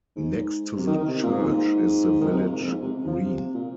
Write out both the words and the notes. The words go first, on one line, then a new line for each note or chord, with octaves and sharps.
Next to the church is the village green.
G#2
C3
D#3
D#3
C3
A#2
G#2
D#3
C3
A#2
G#2
F2
G#2
C3
F3
C3
A#2